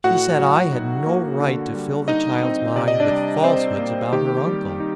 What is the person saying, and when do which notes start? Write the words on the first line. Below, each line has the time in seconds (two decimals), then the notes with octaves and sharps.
She said I had no right to fill the child's mind with falsehoods about her uncle.
0.04 A2 F#4 F#5
0.39 F#3
0.72 D#4
1.06 A#3
1.40 D3
1.75 G3
2.08 D#4 D#5
2.43 C4
2.76 C3 D5
2.88 D#5
3.00 D4 D5
3.11 G3
3.44 C4 D4 C5
3.78 A#3
4.12 D#3 G4
4.46 G3
4.80 D#4